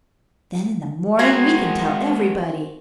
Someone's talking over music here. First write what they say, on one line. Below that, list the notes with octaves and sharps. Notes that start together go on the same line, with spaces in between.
"Then in the morning we can tell everybody."
G#3 C4 F#4 A#4 G#5